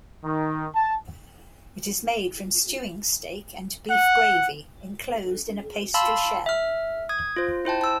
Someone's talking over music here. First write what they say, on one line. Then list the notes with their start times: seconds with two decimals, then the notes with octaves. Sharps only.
It is made from stewing steak and beef gravy, enclosed in a pastry shell.
0.24 D#3
0.75 A5
3.90 F#5
5.94 F5 A5 B5 C6 E6
6.46 E5 F6
7.09 D#6 G#6
7.36 F4 C5
7.65 E4 C5 G5 A5
7.81 A5 E6